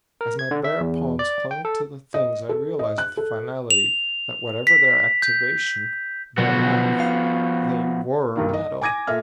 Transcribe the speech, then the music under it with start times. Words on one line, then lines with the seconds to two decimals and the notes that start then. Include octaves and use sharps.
As my bare palms clung to the Things I realized with finality that whatever their activation, their life, they WERE metal.
0.21 A#4
0.39 G#6
0.51 D3
0.64 E5
0.81 E2
1.19 D5
1.51 G5
1.65 A4
2.14 D#5
2.49 A4
2.79 D#5
2.98 F#6
3.17 A4
3.71 F7
4.67 B6
5.22 G6
6.38 B2 D3 F3 F#3 B3 F#4
7.00 F5
8.36 B1 G2 D#3 A#3
8.54 D#5
8.82 G#5 D6 G#6 A#6 D#7
9.07 A#2 A4 E5 F6